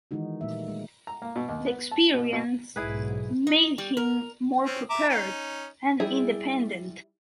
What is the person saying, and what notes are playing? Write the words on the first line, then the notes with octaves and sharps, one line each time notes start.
The experience made him more prepared and independent.
D#3 E3 G#3 D#4 F#4
A#2 G3 A3 A#3 E5
G#3
A#5
A#3
B2
D#2
B3
A5
B2
B2
B1 G#2 E4 G#4 B4
D#4
G3
A#4
C4 C#4
E5 A#5 D6
C#4 D#4
G3 E4 G#4